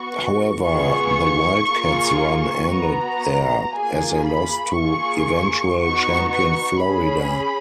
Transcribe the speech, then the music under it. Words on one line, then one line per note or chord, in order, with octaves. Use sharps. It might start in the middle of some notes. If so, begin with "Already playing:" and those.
However, the Wildcats run ended there, as they lost to eventual champion Florida.
Already playing: B3 F#4 C#6
B3 F4 G#4 C#6
A#3 F4 G#4
B3 F#4 A#5
A#3 F4 G#4 G#5
B5
A#3 F4 G#4 C#6
B3 D#4 F#4 C#6
C#6
C#4 G#4 B5